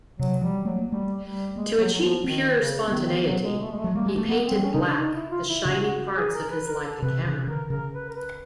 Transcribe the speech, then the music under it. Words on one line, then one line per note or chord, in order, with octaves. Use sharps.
To achieve pure spontaneity he painted black the shiny parts of his Leica camera.
C3 F#3
F3 G3
F#3 A3
A#3
G3 A3
G3
G#3 A#3
F#3 A#3
F#3
F3 B3
D#3 C4
C#3
A#3
D#3 B3
E3
F#3
G#3
A3
G#3
A3
F#3
G3 A#3
G#3
A3
A#3 B3
G3 C4
C#4
C#3 D#4
D4
D#4
E4
F4
E4
C#3 F#4
F#4
G#4
A#4
B4
A#4
A4
C3 B4
C#3 B4
D3 A#4
C#3 A#4
B4
A#4
B4